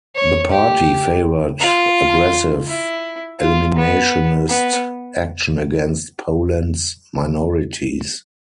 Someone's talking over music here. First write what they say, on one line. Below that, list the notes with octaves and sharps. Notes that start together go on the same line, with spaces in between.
The party favored aggressive eliminationist action against Poland's minorities.
C#5
G4
F4
E4
F4
B3
B3